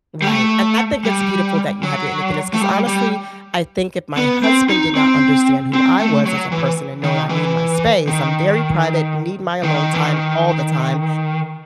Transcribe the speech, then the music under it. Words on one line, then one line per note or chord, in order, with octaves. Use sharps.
Right, and I think it's beautiful that you have your independence, 'cause honestly, I think if my husband did not understand who I was as a person and know that I need my space, I'm very private, need my alone time all the time,
G3
A3
G3
F#3
A3
G3
G3
B3
C4
D#4
C4
C4
A3
F#3
E3
D#3
E3
D#3
D#3
E3
D#3